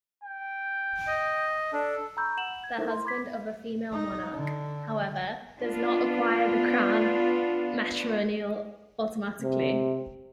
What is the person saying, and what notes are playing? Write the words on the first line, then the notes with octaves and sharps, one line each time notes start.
The husband of a female monarch, however, does not acquire the crown matrimonial automatically.
G5
D#5
D4 A4
A#5 B5 C#6 E6 G6
F#5 E7 F#7
G#6
D#4 E4 A4 A#4 C5 E5
C6
B5 D6 G#6 B6
D#4
D3
B3 D4 F4
C3